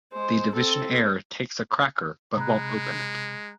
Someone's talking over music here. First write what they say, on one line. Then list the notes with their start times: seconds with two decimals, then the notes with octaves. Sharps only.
The Divisionnaire takes a cracker but won't open it.
0.12 G#3 C5
0.54 C4 A4
2.37 C3 G#3 A#5 B5 F#6